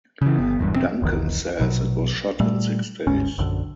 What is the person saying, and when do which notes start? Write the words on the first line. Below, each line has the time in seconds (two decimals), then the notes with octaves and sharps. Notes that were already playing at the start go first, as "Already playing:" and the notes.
Duncan says it was shot in six days.
0.22 C#3 E3
0.37 G1 B3
0.59 G#1 E2 G2
0.73 E1 C4
1.02 E1 B1 E2 D#3
1.59 A#1 B2 F#3
2.40 A#2 G3 A3
3.07 G1 D2 G#2 C#4
3.38 A#1 F#2 D3